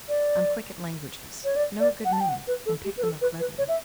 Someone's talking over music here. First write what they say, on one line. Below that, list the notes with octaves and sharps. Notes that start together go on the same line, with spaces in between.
I'm quick at languages, know a good many, and pick them up readily.
D5
C#5
D5
D5
F#5
A5
G5
F#5
B4
A4
G4
B4
A4
B4
B4
C#5
E5